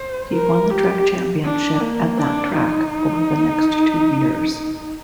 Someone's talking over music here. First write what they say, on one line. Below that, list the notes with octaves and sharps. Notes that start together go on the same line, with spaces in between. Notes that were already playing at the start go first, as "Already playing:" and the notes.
He won the track championship at that track over the next two years.
Already playing: C5
A#4
G4
D4
A#3
D4
D#4